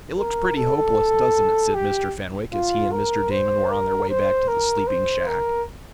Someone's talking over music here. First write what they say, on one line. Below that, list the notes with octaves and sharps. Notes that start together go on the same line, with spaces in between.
"It looks pretty hopeless; doesn't it?" said Mr. Fenwick, as he and Mr. Damon were on their way back to the sleeping shack.
A#4
A4
G4
F4
A#4
C5
A#4
C5
A#4
C5
A#4